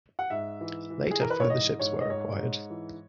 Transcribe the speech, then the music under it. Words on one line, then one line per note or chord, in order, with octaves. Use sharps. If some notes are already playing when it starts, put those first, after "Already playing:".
Later further ships were acquired.
F#5
G#2 E5
E3
E3
G#4
E3 A#4
B4
C#5
G#2 D#5
G#2 C#5
D#5
G#2 C#5
G#2
E3